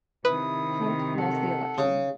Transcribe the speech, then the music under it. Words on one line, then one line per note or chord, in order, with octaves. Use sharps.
Hunt lost the election.
C3 D#3 E4 B4 D#6
A4 F#5
C#3